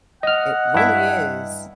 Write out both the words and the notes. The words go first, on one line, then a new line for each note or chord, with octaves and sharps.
It really is
D#5 F#5 F6
G2 E4